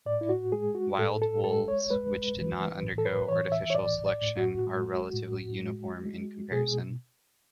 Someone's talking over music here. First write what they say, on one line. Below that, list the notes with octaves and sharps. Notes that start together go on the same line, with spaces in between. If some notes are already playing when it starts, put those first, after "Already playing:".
Wild wolves, which did not undergo artificial selection, are relatively uniform in comparison.
A2 D5
E4
F#4
G#3 G#4
F#4
A2 A4
A4
G#3 A4
C#5
G#3 B4
E3
A2
A4
B4
E3 C#5
E5
C#5
A2 D5
D5
A2
F#4
G#3
A2
G#3
G#3
B2 G#4